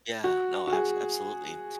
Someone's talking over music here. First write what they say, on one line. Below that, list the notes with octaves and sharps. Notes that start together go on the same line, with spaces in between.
Yeah, no, abs absolutely,
F#4
F#4
G#4